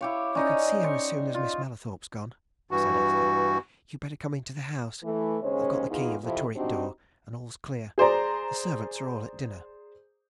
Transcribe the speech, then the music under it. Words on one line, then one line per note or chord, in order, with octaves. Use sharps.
"You can see her as soon as Miss Mallathorpe's gone," said Esther. "You'd better come into the house--I've got the key of the turret door, and all's clear--the servants are all at dinner."
E4 G4 C#5 F5
C#4 D#4 D5 D#5
C5 C#6
F4
G2 E3 F#4
E3 A3
D#2 C#3 G#3 C#4 C5 C#5
E2 D#4 F4 G#4
F2 C3 E4
C4 D4 D#4 F#4 G4 C5
G#4 C5 D5 A#5